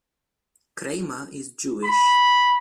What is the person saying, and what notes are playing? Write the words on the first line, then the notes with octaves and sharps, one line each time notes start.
Kramer is Jewish.
B5